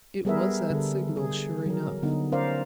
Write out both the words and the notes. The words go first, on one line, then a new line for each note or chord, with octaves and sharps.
It was that signal, sure enough.
G3 B3 G#4 A#4 B4 E5
D3 A4
G#4
F#3 A#4
D3 B3 D#4
C#4 A#4 C5 D5 F5